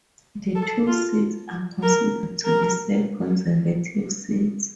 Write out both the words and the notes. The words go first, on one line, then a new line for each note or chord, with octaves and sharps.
The two seats are considered to be safe Conservative seats.
A4
F4
A#4
A#4